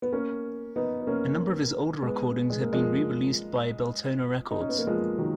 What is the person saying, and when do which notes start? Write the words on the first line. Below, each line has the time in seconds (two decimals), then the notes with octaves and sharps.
A number of his older recordings have been re-released by Beltona Records.
0.02 B3
0.12 A#3 C#4
0.76 B3 D#4
1.01 B3
1.07 A#3 C#4
2.02 G#3 B3
2.50 G#3
2.61 A#3
2.73 F3 G#3
4.51 D#4
4.60 C#4
4.69 B3
4.78 A#3
4.87 F3 G#3
5.18 D#3 F#3